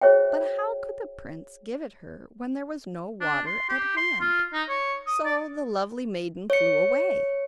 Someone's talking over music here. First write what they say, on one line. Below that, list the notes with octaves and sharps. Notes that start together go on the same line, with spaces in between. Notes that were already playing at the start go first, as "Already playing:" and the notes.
But how could the prince give it her when there was no water at hand? So the lovely maiden flew away.
F#4 G#4 C5 C#5 E5 G5
D4
C6
G4
C6
F4
D#4
C#5
D#6
D5
C#5 C#7